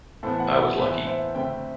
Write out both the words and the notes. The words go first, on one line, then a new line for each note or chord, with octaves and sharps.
I was lucky.
A2 E3 B3 A4 C5
F#5
C5 E5
A2 E3 B3 C5 E5
C5 E5
D2 D3 A3 C4 E5 G5